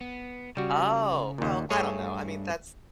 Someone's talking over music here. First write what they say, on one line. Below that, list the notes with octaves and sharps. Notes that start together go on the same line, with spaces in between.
Oh, well, I don't know. I mean, that's
B3
C#3 G3 F#4
D#2 A#2
G2 A3 G#4 C#5